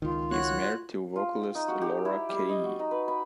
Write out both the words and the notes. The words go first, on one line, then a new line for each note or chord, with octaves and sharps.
He is married to vocalist Laura Kaye.
C#2 D#3 F4
F#4 C#5 F#6
F4
G5
D#4
F#4
G4
E4
G3
D#5
F#4
D#4
B4
B5